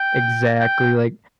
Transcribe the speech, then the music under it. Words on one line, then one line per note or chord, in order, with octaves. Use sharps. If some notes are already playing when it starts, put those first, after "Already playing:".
exactly, like,
Already playing: G5
G5